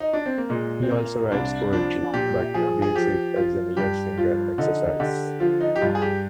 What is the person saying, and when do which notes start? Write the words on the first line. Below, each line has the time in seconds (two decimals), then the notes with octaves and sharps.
He also writes poetry, but views it as a mere finger exercise.
0.00 D#4
0.13 D4
0.26 C4
0.38 A#3
0.50 A#2 G#3
0.82 C4
0.91 A#2 A#3
1.32 C2 D4
1.73 F3 D4
2.13 A#2 G4
2.54 F3 G#4
2.82 G#4
2.96 F3 G4
3.36 F3 F4
3.77 G2 G4
4.18 F3 F4
4.58 D3 D#4
5.00 D3 G4
5.40 F3 F4
5.61 D#4
5.76 G4
5.81 G2 F4
5.95 G#4
6.02 G4